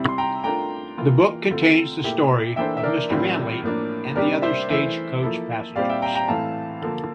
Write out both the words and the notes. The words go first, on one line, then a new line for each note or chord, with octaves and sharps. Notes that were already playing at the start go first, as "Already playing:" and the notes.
The book contains the story of Mister Manly and the other stage coach passengers.
Already playing: C3 G3 C4 E4
C6
G5 A#5
A3 D4 F4 A#4 G5 A#5
E3 A#3 F4
D3 A3 C4 F4
A#2 A3 E4 G4 A#4
E3 A#3 D4 A4 C5 E5 G5
E5
A#4 D5
A2 E3 G3 C4 F4
A2 F3 A#3 D4
C3 G3 D4 G4 A#4 D5
C5 E5
E3 A3 E4 C5 E5
F3 A#3 E4 A4
A#2 G3 C4 G4 C5 D5 F5
E5 G5
G5 A#5
G5 A#5
A2 E3 A3 C4 F5 A5
D3 F3 A#3